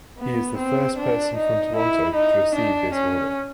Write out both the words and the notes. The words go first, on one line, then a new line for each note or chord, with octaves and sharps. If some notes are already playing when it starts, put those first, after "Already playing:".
He is the first person from Toronto to receive this order.
B3
C4
D4
D#4
E4
D#4
D4
C#4